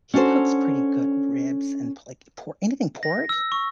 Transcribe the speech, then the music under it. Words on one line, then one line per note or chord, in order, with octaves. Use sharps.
He cooks pretty good ribs and p like, por anything pork.
C#4 D4 F#4 A4 C5
A#6
E6
C#6